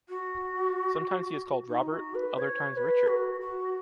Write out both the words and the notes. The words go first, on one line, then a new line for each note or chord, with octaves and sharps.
Sometimes he is called Robert, other times Richard.
F#4
D#4
F#4
B4
C#5
C#5
B4
F#4
F#4